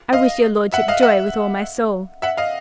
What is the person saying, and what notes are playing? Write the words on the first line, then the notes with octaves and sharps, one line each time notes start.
I wish your lordship joy with all my soul.
D#5 F5
E5 F#5
D#5 F5
E5 F#5
E5 F#5
D#5 F5